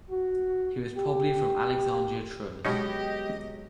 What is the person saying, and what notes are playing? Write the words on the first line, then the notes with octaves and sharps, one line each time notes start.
He was probably from Alexandria Troas.
F#4
G4
B2 F#3 G#3 B3 C#4 D#4 G4 D#5